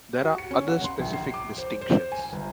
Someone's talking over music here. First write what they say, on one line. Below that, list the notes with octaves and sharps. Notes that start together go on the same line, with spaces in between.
There are other specific distinctions.
F#4
C#7
C#4
F#5
C6
A#1
C7
D6
C5
C5
G#5
G1